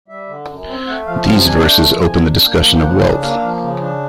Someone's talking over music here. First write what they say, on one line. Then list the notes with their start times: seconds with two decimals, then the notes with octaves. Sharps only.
These verses open the discussion of wealth.
0.08 G3 E5
0.28 D3
0.48 F#2
0.68 C4
0.87 A3 F#5
1.07 F3 F5
1.26 C3 F5
1.46 D4 G#5
1.65 A3 G5
1.85 F3
2.04 C3 G#5
2.25 D4
2.44 A#3 G5
2.63 F3
2.75 G5
2.82 C#3 F#5
3.02 D4
3.21 A#3 F5
3.42 F3
3.61 C#3
3.81 D4